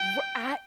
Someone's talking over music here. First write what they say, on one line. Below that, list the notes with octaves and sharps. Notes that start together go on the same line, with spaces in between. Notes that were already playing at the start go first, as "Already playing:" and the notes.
r I
Already playing: G5